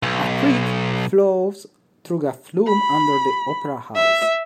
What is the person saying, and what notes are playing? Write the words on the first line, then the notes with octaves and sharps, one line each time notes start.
A creek flows through a flume under the Opera House.
B1
B5
E5